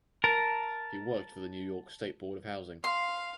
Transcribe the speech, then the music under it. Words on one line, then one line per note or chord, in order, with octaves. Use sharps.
He worked for the New York State Board of Housing.
A#4 A5
F5 C6